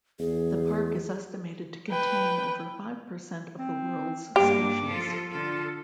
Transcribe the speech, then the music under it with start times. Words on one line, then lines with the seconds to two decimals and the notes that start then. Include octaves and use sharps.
The park is estimated to contain over five percent of the world's species.
0.19 E2 G#4
1.89 B4 G5
3.59 C4
4.36 G2 A#3 D4 G4 D6
4.87 F3 F4 A4
5.31 D3 F4 A4